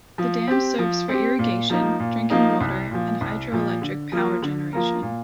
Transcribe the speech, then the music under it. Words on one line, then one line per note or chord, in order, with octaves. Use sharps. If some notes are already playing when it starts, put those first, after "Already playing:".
The dam serves for irrigation, drinking water and hydroelectric power generation.
F3
C4 G4
F3
C4 G4
A#2
F3 A#3 D#4
A#2
F3 A#3 D#4
C2
A#2 F3
C2
A#2 F3
D3
F3 A#3 F4 A#4
D3
F3 A#3 F4 A#4
A#2